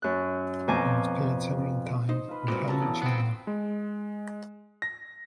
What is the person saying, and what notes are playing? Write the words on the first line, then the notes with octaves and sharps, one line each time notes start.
He was paired several times with Helen Chandler.
F#2 F#6
F2 B2 F3 G#5 A#5 D6
D#4 C5
F4 B4
C2 A#2 G#3 C4 F#4
C#4 F#4 A4 A5 A#5
E2
G#2 B3 C4
G#3
A#6